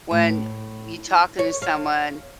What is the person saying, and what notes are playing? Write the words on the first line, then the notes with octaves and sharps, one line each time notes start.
when you talking to someone,
A2
C#5
F5